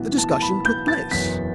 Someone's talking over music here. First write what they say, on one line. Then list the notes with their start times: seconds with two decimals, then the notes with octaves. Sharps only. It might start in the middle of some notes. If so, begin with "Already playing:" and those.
The discussion took place.
Already playing: B1 A2 E3 B3
0.18 A5
0.32 A5
0.42 B5
0.65 G6
0.88 A6
1.11 F#1 E2 B2 F#3 B3 B6